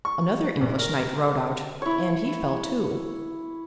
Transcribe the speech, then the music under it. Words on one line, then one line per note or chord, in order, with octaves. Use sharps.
Another English Knight rode out, and he fell too.
C#6
A#1
A#4
E4 C#5